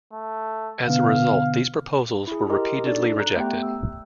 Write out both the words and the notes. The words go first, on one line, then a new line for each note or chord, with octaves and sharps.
As a result, these proposals were repeatedly rejected.
A3
B2 D3 B3 F5
E4 G#4
G4 A#4 D#5 A#5 C6
D4 D#4 F#4 A4 D5
A#5 F#6
A3 B3 G4 G5
E6